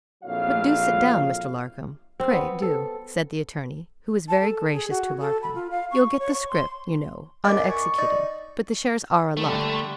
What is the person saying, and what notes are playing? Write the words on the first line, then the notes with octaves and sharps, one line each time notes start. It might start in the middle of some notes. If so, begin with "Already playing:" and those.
'But do sit down, Mr. Larcom--pray do,' said the attorney, who was very gracious to Larcom. 'You'll get the scrip, you know, on executing, but the shares are allotted.
A#1 F2 F#3 E4 F5
C4
B3
A4
A5
A4
G#4
F#4
A4
B5
F4
F5
C#6
C#5
C#6
C6
F#2 D5 D#5 D6
C#6
D#4 D5
D3 G3 A3